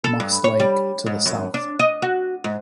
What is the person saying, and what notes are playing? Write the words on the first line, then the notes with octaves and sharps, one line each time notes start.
Moss Lake to the south.
A4
G2
C#5
G3
G#2
F#2
D4
D#5
F#4
G#2